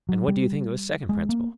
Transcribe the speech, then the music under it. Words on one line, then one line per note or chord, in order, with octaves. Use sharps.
And what do you think of a second principle?
F#3
G3
G#3
A#3